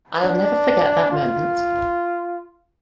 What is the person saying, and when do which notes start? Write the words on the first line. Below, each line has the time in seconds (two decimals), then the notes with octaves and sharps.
I’ll never forget that moment.
0.24 D4
1.11 F4